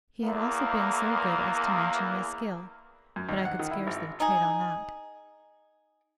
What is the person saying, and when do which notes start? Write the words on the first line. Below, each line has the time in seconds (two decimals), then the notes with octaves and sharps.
He had also been so good as to mention my skill; but I could scarcely trade on that.
0.23 E2 A#3
3.16 F#2
3.29 D#2
3.45 F#5
3.59 D#3
3.71 E4
3.87 G#1
4.20 D#4 G#4